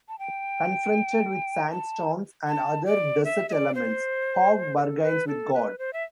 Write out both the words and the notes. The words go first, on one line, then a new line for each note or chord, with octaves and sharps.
Confronted with sandstorms and other desert elements, Hogue bargains with God.
A5
G5
A5
A5
D5
E5
E5
D5
C5
B4
A4
B4
A4
B4
C5
E5